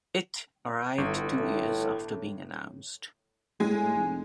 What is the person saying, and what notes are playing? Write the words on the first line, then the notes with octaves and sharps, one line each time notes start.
It arrived two years after being announced.
G1 A2
A2
A2 G#3 G#5
F1